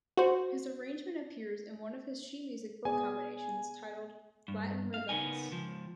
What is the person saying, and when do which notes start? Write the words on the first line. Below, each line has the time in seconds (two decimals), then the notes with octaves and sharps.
His arrangement appears in one of his sheet-music book combinations, titled "Latin Rhythms".
0.17 F#4 C5
2.85 B3 G#4 D5 G#5
4.48 G2
4.94 F5
5.09 C#3 B3 D#4 A#4 G#5
5.51 C#2 F3